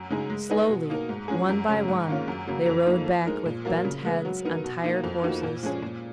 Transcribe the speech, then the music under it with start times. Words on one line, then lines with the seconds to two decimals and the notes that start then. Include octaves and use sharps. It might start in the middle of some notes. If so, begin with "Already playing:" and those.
Slowly, one by one, they rode back, with bent heads, on tired horses.
Already playing: F#2
0.10 C#3 G#3 D#4 G#4
0.30 G#3
0.50 B3 D#4 G#4 D#5
0.69 B2
0.90 A#3 D#4 A#4
1.09 G#2
1.28 F3 G#3 C#4 G#4
1.49 F#2
1.68 C#3 G#3 C#4
1.88 G#2
2.08 D#3 A#3 C#4 F4
2.28 F#2
2.47 C#3 F#3 A#3
2.66 F2
2.86 F3 A#3 D#4
3.06 F3
3.26 G#3 D#4 A#4
3.46 A#2
3.65 F#3 A#3 F4 A#4
3.85 C#3
4.05 G#3 B3
4.25 F#3
4.45 B3 D#4 A#4
4.64 B2
4.84 A#3 D#4
5.04 F2
5.23 F3 A#3 D#4 F#4
5.43 A#2
5.63 F3 G#3 C#4 G#4
5.82 A#2